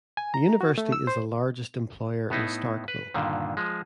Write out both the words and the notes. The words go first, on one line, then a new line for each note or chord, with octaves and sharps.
The university is the largest employer in Starkville.
G#5
A#5
F#4
A3
E6
C5
A2 B3 D#4 E4
B4
G2 A#2 D3 D#3
F3 G#3